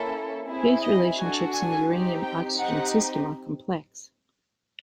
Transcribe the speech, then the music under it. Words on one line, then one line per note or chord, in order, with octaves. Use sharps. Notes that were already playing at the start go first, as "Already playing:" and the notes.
Phase relationships in the uranium-oxygen system are complex.
Already playing: A#3 C#4 E4 A4
C4 E4 G#4
D#5
D4 F#4 A4 G#5
G#5
C4 D#4 G4
G5
C4 D#4 G4 F#5